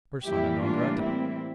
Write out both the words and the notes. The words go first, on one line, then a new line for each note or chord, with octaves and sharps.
Persona non grata.
A2 E3 G3 A#3 E4 G4
D4 F4
C4 E4